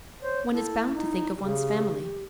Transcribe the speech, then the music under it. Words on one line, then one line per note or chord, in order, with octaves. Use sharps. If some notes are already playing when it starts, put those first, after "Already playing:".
One is bound to think of one's family.
C5 C#5
E4 A4
D#4
C#3 G4